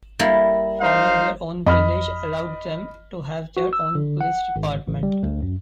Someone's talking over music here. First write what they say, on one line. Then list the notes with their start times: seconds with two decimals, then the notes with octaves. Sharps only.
Forming their own village allowed them to have their own police department.
0.19 G3 A#3 E4
0.81 D#4 C5 F5
1.66 F2 D#5 B5 F6
3.57 F#4
3.73 E6
3.95 D3
4.21 F#5
4.56 G#1
4.88 A1
5.03 G3
5.23 D2
5.42 F#2